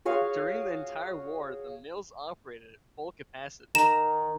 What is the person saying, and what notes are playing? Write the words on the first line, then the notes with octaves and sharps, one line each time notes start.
During the entire war the mills operated at full capacity.
F#4 G#4 C#5 F5
D#3 A#5 E7